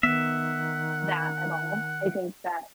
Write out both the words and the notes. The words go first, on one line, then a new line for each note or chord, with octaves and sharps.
that at all. I think that,
D#3 B3 E5 F#5